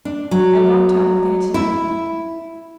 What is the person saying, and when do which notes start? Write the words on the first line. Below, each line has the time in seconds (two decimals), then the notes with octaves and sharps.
I walked home with Antonia.
0.05 D4
0.31 F#3
1.54 E4